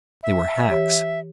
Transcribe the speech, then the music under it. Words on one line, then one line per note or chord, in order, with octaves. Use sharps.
They were hacks.
E5
E3 G4 C#5